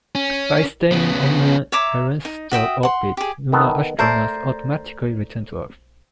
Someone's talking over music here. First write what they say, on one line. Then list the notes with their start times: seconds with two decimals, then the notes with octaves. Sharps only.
By staying on the Arenstorf orbit, lunar astronauts automatically return to Earth.
0.15 C#4
0.92 C#3 B3
1.72 C#5 E5 A#5 D6
2.25 D#4
2.51 F#4 E5 G5 D#6
2.83 F#5 C6
3.17 G4 G#4
3.52 D#3 B3 A4
3.99 A3 A#4 C5 D5